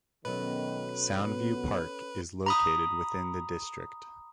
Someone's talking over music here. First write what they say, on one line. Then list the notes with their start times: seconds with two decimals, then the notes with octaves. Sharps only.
Soundview Park is located within the district.
0.25 F#2 B2 D#3 F#3 C#4 A4 B4 C#5
1.25 B3
2.46 A#5 B5 D#6